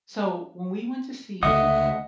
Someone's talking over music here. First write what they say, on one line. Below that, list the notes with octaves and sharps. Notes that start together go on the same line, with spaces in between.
So when we went to see it,
C#2 D3 A3 D#5 E5 F#5 D#6